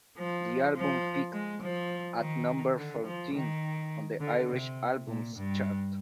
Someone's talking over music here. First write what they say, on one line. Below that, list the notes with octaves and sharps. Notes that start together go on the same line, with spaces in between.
The album peaked at number fourteen on the Irish Albums Chart.
F3
F3
G#3
F3
D#3
D3
F3
D#3
D3
C3
A#2
G2